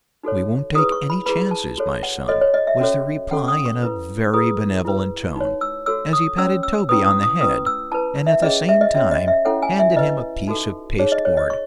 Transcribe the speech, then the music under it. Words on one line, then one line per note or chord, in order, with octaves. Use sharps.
"We won't take any chances, my son," was the reply, in a very benevolent tone, as he patted Toby on the head, and at the same time handed him a piece of pasteboard.
D#4 F#4 A4 C#5
E4 G#4 B4 D#6
C#6
B5
E4 G#4 B4 B5
A5
F#4 A4 C#5
F#5
F#4 A4 C#5 D#5
C#5
D#5
E5
C#4 F#4 A4 C#5
C#4 F#4 A4 F#5
D#6
C#6
E4 B4
E4 G#4 B4 D#6
E4 B4
D#4 F#4 C#5
E6
F#4 A4 C#5 E6
D#6
C#4 F#4 C#5 E6
E6
C#4 E4 B4 D#6
D#6
D#6
C#4 E4 B4 D#6
E6
E4 B4 A5
E5
C#4 G#4 C#5 D#5
E5
D#5
C#4 F#4 C#5 E5
D#5
E5
C#4 E4 A4 C#5 F#5
G#5
E5
E4 B4 D#5
D#4 F#4 A4
D#4 G#4 C#5
D#5
C#5
D#5
C#5 C#6